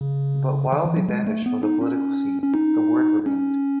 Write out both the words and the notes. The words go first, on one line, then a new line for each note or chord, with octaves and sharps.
But while they vanished from the political scene, the word remained.
C#3
D#3
E3
F#3
G#3
A3
B3
D#4
C#4
C#4
D#4
C#4